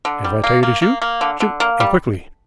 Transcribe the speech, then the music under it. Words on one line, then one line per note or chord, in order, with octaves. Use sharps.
If I tell you to shoot--shoot, and quickly.
D3
G3
A#3
A#3
A#3
A#3
D3
D3
A#3
G3